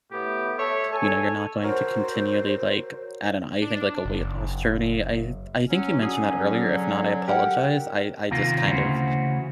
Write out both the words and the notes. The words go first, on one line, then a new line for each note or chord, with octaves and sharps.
You know, you're not going to continually, like I don't know, I think, like, a weight loss journey. I th I think you mentioned that earlier, if not, I apologize. I I just kind of
A2 B3 G4
A4 C#5 E5
A4 C#5 G#5
F#4 A#4 C5 C#5
D4
F#1
F#3 C#4
D3 F#3 C#4 G#4 G#5
G4 A#4 F#5
D#2 C3 A#3 F4 A#4
D2 C#3 E3 F#4 C5